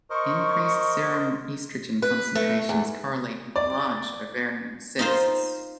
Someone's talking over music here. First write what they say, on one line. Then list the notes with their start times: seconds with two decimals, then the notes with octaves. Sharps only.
Increased serum estrogen concentrations correlate with large ovarian cysts.
0.10 A#4 C5 D#5 C#6
2.02 B4
2.35 A3
2.69 E2
3.56 D5
4.99 D#4 F4 C5